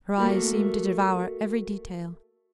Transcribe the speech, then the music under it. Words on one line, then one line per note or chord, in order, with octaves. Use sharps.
Her eyes seemed to devour every detail.
A3 A#3 F#4